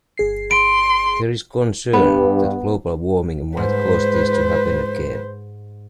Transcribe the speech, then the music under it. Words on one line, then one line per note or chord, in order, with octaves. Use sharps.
There is concern that global warming might cause this to happen again.
G1 G#4 C7
C6 D7
G2 B3
G#2 B4 C5